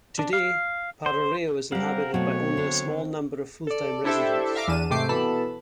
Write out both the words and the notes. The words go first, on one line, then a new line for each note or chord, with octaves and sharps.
Today, Paroreio is inhabited by only a small number of full-time residents.
D4
F5
C5
G3 C4 G4 A#4 F5 F#5
B2 F#3 A3 C#5
D3
A4 D5
D4 E4 G4 A4 C5 E5
E5 F5 A#5 D6 F6
E2 E3 D4 D#7 E7
G#2 C3 A3 G5 D6 C7
B2 E3 B3 A4 A5 B5